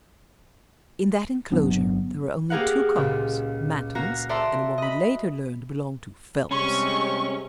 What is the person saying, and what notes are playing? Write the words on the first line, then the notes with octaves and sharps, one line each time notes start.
In that inclosure there were only two cars--Manton's, and one we later learned belonged to Phelps.
G1 F#3 B3 D4
A#3 G4 G#4 A#4 F5 F#5
C#2 A#2
A#3 F#4 A#5
A4 D5 E5 A#5 C6 E6
D#5 B5
C3 G3 G#3 C#4 C#6